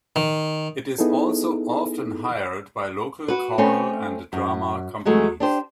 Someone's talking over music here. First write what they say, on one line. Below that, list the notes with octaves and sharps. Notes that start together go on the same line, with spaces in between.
It is also often hired by local choral and drama companies.
D#3
B3 D#4 E4 G#4 A4
F#4 B4
A3 C4 C#4
F#2
E3 F#3 G#3 A3
D4 G4 C5